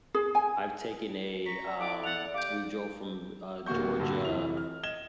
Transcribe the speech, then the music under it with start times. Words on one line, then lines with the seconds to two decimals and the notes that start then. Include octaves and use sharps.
I've taken a, um, we drove from, uh, Georgia
0.14 G#4
0.35 G#5
1.46 A#5 C#6 B6
1.65 D5
1.80 E4 A4 D6 F#6
2.04 F#5 A6 F7
2.34 G4 F5 D6 G6
3.66 D1 A#3 F#4 C#6 G6
4.00 G2 A#2 D3 G3 F#4
4.25 F1 E3 F4 F7
4.57 F6
4.83 D#5 G#6 E7 G7